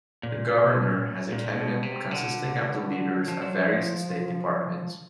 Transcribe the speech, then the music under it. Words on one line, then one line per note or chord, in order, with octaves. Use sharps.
The governor has a cabinet consisting of the leaders of various state departments.
A#2
B2
A#2
A#2
B2
C3
D3
F3
F#3
F3